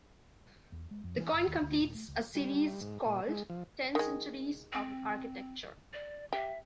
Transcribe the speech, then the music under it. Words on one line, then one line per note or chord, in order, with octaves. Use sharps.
The coin completes a series called "Ten Centuries of Architecture".
E2
G#3
F2
E3
G1
D#2
D2
D#1
A3
C#2
G3
G#2
A#2
G#3
F3
D#3 G#3
C4
D5
G4 E5